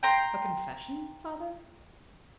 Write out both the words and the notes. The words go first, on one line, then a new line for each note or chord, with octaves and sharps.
"A confession, father?"
G5 A#5 C6